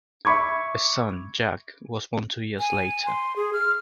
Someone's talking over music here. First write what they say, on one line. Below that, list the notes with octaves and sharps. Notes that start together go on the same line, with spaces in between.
A son, Jack, was born two years later.
E5 B5 C#6 D6 G#6
G#5
C6
G#4
F6